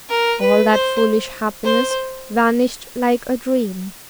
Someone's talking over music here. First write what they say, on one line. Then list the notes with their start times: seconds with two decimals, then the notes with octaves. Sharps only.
All that foolish happiness vanished like a dream.
0.09 A#4
0.40 B4
0.71 C5
1.65 C5